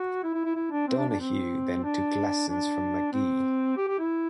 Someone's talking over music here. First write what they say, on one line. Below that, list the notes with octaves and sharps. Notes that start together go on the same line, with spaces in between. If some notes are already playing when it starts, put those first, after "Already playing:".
Donahue then took lessons from McGee.
Already playing: F#4
E4
E4
E4
E4
D4
C4
D4
D4
C4
D4
D4
C4
G4
G4
E4